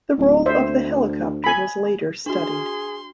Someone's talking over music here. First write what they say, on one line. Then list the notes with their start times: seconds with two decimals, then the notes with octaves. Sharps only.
The role of the helicopter was later studied.
0.18 D1
0.46 D2 C5 E5
1.44 G#5 B5
2.26 D4 F#4 G#4 C6